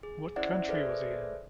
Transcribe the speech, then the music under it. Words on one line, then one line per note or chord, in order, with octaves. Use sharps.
What country was he in?
G#4
C#4 E4 C5 D5 E5 F#5
G#4 A4 B4 C5 D5 E5